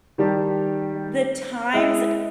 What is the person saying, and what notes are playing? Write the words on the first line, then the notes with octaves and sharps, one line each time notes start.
the times, eh
D#3 G3 G4 A5
G#3 E4 D#5